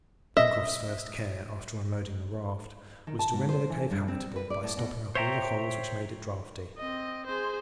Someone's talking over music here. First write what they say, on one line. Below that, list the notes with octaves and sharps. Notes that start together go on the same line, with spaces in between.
Pencroft's first care, after unloading the raft, was to render the cave habitable by stopping up all the holes which made it draughty.
D#5 E5
D#3
A5
G#2
C5
E3
G2
C4
B4
D5
A2
B2
C5 C#5 E5 G5 A#5
C4 D#5
G#4 C5